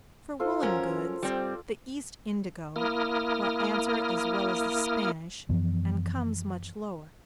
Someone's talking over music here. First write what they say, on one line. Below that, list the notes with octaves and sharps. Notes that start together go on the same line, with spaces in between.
For woollen goods, the East indigo will answer as well as the Spanish, and comes much lower.
F4 A4 C5
F#2 C#4 A#4
G3 C4 D5
A#3 E4 A#4 D#6 F6
F#2 E3 F3 B3